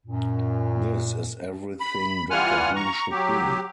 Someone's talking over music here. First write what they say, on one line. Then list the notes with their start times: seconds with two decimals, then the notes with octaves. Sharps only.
This is everything "Doctor Who" should be.
0.06 F#2 A#2
1.81 B5
2.30 E3 G3 F4 F#5 G#5 F6
2.76 A#5 C#6
3.11 F#3 G4